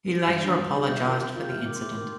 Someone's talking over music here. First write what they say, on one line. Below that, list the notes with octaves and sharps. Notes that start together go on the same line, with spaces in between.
He later apologized for the incident.
G6
G2 A6
D3 G3
G2
D3 G3
C3 G6
D#3 A#3 F4
C3
D#3 A#3 F4
G6
C3 F6
D#3 A#3 D6
C6
C3 D6
C6
D#3 A#3 D6